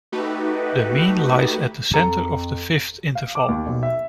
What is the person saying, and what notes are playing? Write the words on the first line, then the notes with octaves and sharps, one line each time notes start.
The mean lies at the centre of the fifth interval.
A3 D#4 F#4 G4 B4
F2 A4 A#5
F5
D6
D#2
B1
E5